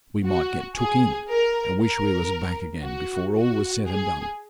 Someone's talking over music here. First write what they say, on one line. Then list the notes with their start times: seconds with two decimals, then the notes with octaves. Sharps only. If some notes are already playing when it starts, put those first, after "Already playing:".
We might get took in, and wish we was back again before all was said and done.
0.25 F#4
0.77 G#4
1.29 A#4
1.81 A#4
2.83 F#4
3.35 F#4
3.87 G#4